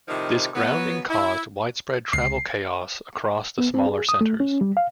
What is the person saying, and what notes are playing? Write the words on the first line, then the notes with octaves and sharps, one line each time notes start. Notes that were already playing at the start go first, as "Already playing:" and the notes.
This grounding caused widespread travel chaos across the smaller centres.
A2 C3 D#3 F3 D#4
F#3 B3
E4
C#2 C7
B3
C4
G#4
D#6
A3
C#4
G3
F5